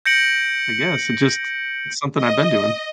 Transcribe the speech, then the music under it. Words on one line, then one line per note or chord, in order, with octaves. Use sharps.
I guess it's just, it's something I've been doing.
G6 A#6 C#7 D7 F#7
D#5